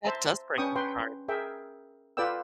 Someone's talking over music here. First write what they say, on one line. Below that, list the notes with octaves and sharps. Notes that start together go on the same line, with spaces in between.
That does break my heart.
C5 E5 A5 A#5
C#4 D4 B4 G5 C#6 D#6
B4 G5 C6
G#4 A#4 E5 G5
F4 A4 B4 D5 G5 E6